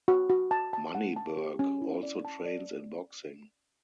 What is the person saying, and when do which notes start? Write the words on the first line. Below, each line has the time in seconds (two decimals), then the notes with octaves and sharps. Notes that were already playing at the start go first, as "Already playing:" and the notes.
Moneyberg also trains in boxing.
0.08 F#4
0.30 F#4
0.51 A5
0.73 A5
0.95 F#5
1.16 A5
1.37 G4
1.59 C#4
1.82 E4
2.03 D5
2.25 A5
2.45 D5